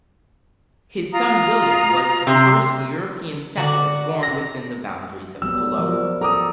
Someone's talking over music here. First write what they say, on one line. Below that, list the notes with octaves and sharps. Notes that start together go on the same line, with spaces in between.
His son William was the first European settler born within the boundaries of Cologne.
F4 A#5 D#6
C3 C6
D3 F#4 D5 A#5
A#5 A#6
F#3 G3 B3 E6
F3 G3 A#4
A4 A#5 D6 D#6